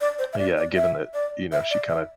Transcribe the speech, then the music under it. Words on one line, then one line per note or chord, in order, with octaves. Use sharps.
Yeah, given that, you know, she kind of
D5
C5
E5
D5
D5
E5
D5
E5
D5
E5